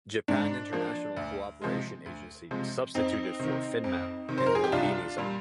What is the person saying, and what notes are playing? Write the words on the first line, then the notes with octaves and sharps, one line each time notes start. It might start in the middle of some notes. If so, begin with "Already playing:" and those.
Japan International Cooperation Agency substituted for FinnMap in Lumbini Zone.
G#2 D4
F3 A#3
D2
C3 F3 G#3
D2
C3 F3 G#3
F2 C4 D#4
C3 D#3
F2
C3 D#3
C5
A#4
G#4
G4
C2 D4 F4
A#2 G3